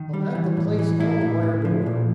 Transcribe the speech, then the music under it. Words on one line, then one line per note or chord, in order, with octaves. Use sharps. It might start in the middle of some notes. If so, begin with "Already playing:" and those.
I'll have the place all wired over.
Already playing: D#3
G3
E3
A2
E3
A2 E4
A2
A2
F3
A#2